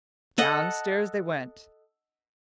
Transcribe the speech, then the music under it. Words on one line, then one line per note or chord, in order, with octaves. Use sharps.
Downstairs they went.
A4 D#5 F#5